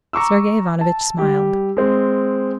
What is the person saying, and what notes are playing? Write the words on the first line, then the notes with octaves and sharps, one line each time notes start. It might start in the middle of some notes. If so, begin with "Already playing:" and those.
Sergey Ivanovitch smiled.
A#5 C#6 D6 E6
A5
G3 G4
G#3 C4